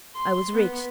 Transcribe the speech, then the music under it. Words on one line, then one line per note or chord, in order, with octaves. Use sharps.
I was rich.
C6
B3